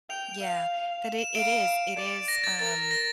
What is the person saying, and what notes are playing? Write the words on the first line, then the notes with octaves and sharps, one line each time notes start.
Yeah. That i it is it is, um
G5 F7
F5
E7
E7
F5 D7
D5
A#6
A6
A#4 A6
A#6